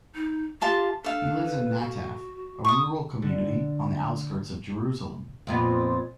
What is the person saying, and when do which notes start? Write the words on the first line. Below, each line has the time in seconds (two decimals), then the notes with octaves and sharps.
He lives in Nataf, a rural community, on the outskirts of Jerusalem.
0.15 D#4
0.61 F4 G4 A5 C6
1.04 D4 A4 F5
1.45 B4
1.79 F#4
2.65 C#6 D#6
3.22 D3
5.47 F2 A#2 B3